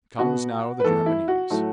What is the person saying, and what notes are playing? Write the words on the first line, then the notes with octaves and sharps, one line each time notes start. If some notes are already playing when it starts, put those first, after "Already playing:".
Comes now the Japanese.
B2 B3 F#4
B4
E2 E3 A3 A4
E4
F#4
A2 F#3 A3